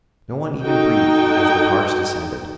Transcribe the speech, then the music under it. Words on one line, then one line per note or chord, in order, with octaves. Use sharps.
No one even breathed as the cards descended.
D#4 F#4 A4 G5